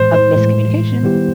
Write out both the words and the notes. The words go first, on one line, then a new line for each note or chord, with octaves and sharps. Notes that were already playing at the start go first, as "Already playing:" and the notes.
a miscommunication
Already playing: A2 E3 G#3 C5
C5
A2 E3 G#3
D#3 G3 B3 E4 G4